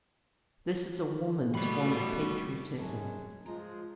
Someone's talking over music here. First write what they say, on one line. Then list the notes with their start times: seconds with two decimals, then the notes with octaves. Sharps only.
This is a woman's form of patriotism.
1.55 G3 A3 F#4 B5
2.77 F#2 F#3 G#3 C#4 G#4 A5
3.46 F3 G#3 F4 A#5